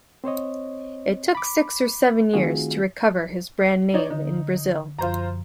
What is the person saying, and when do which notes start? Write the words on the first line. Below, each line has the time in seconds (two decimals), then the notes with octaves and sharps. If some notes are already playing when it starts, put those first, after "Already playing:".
It took six or seven years to recover his brand name in Brazil.
0.24 C4 C5 C#5 D#5
1.35 B5 D6
2.34 D#3 A3 C4 F4 F#4 G#4
3.94 D#4 C#5 D5
4.10 D3 D#4
4.99 F#2 F3 F4 C5 A#5